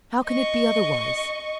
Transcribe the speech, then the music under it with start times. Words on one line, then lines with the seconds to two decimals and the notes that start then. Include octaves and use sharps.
How can it be otherwise?
0.25 D#5 C#6